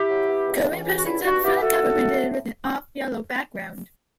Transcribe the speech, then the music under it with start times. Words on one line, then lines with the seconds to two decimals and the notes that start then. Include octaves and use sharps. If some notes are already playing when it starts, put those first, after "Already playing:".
Current pressings have the front cover printed with an off-yellow background.
Already playing: E4 G4
0.09 F#3
0.28 B3
0.47 C#2
0.67 E3
0.85 C#3
0.97 F#4
1.04 G2 E4
1.23 G2 F#4
1.42 B3 E4 G4
1.62 E3 F#4 A4
1.81 A2
2.00 A2